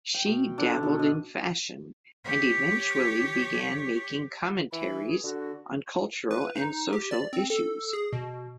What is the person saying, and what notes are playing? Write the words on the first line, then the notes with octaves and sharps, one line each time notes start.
She dabbled in fashion and eventually began making commentaries on cultural and social issues.
G5
B2
D3
B2
D#5
G4 C#5
E3 B5
G#4
D3 F#4
B4
D#4
G4
D5
C4
A4
G#4
B2